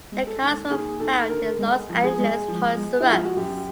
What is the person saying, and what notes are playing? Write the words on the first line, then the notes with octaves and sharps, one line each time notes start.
The cards were found in a Los Angeles Toys-R-Us.
G#3
A4
D#2
D#2 G#4
D#2 A4
D3 A#4
G#3
F3
G#4
G#3
F3
G#3
E4
F3
F4
F#4
F#2 G4